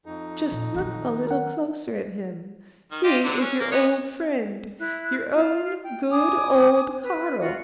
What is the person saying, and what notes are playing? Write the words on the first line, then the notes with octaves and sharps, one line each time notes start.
Just look a little closer at him: he is your old friend, your own good old Caro.
F2 D#4
A#2
D#3 F#3
A#4 F#5
D#3
F4 G4 D#5
D3 F#3
C#4
A#3
B3 C#5 D#5
E4 F#6
F4
G5
G#5 D6 D#6
B4
F4 F#4